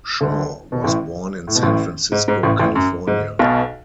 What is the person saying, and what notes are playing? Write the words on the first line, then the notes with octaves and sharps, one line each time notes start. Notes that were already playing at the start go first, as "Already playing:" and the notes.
Shaw was born in San Francisco, California.
D2 D3
B2
A1 A2
A2
B2
A1 A2
G#2
G#2
A1 A2
A1 A2
F#2
G#2
B1 B2